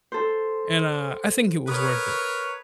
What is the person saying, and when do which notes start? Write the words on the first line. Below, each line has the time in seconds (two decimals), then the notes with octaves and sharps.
And, uh, I think it was worth it.
0.12 A4 C5
1.68 A#4 B4 C#5 D#6